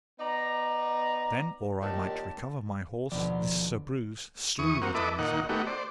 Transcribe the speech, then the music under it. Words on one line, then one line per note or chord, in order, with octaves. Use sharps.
And then or I might recover my horse this Sir Breuse slew the damosel.
B3 D#4 D5 A#5
A#2 D#3 F#3 G4 A5
D#2 B2 D3 F3 D5
E2 C#6 D#6
A#3 C4 F#4
E4 A4 B4 D#5 D6
A#2 D#3 D#4 F#5
A3 B3 D#4 F#4 G4
C5 D5